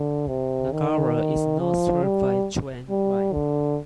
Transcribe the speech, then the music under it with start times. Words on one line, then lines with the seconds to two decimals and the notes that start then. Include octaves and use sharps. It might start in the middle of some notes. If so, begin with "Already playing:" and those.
Nagara is not served by a train line.
Already playing: D3
0.28 C3
0.72 D#3
1.59 F3
2.03 G3
2.90 G3
3.33 D3